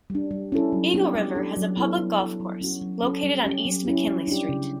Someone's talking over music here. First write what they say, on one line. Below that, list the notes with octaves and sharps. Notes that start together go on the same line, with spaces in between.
Eagle River has a public golf course, located on East McKinley Street.
G3 D4
G3
C#4 E4 A4
F#3
B3 D4 G4
G3
D4 A4
F#3
B3 E4 A4
G3
D4 A4
F#3
C#4 F#4
F#3
C#4 F#4 A4
G3
C#4 G4
F#3
C#4 E4 G4
G3
D4 G4
C#3